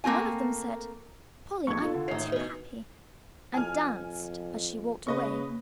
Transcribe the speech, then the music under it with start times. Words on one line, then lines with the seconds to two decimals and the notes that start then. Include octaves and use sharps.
One of them said, "Polly, I'm too happy!" and danced as she walked away.
0.04 A3 A#3 C4 F4 G#5
1.67 A#1 F2 B3 C#6 G#6
1.81 F4 A4
1.94 D3
2.08 A1 D#3 D#4 C#5 E5 C7
2.32 B2 G#5
3.54 F2 G#5 F6
5.07 C#3 A#3 B4 D#5 C#6